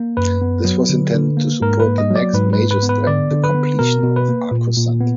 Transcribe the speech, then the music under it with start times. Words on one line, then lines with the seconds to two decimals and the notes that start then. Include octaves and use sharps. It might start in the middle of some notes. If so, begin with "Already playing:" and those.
This was intended to support the next major step, the completion of Arcosanti.
Already playing: A#3
0.17 F#2 B4
0.42 B3
0.65 F#3
0.89 D3
1.14 D3
1.37 A#3
1.61 G#2 A#4
1.80 B4
1.86 A#3
1.98 D#5
2.10 F#3
2.16 D5
2.34 G#2 B4
2.53 B4
2.59 G#2
2.71 B4
2.83 B3
2.89 B4
3.07 D3 D5
3.31 D3
3.44 B4
3.55 B3
3.79 B2 A#4
4.03 B2
4.16 B4
4.28 A#3
4.51 A#2
4.77 A#2
5.01 B3